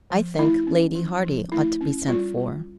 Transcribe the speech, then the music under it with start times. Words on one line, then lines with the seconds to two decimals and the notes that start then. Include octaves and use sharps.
"I think Lady Hardy ought to be sent for."
0.10 F3
0.38 A3 E4
0.67 C#4
0.95 F3
1.23 F3
1.52 A3 E4
1.81 C#4
2.08 G3 F4
2.37 G3